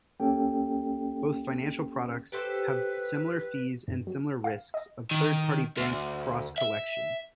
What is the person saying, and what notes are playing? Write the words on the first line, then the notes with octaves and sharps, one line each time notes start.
Both financial products have similar fees and similar risks of third-party bank "cross-collection".
C#2 A#3 C#4 G4 A4 G5
G4 A4 B4 C5
G2
F#3
F5
D#5
D#3
D2
E5